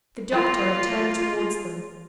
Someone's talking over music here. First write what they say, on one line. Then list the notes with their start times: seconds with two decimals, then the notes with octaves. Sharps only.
The doctor returned towards them.
0.32 A#3 F4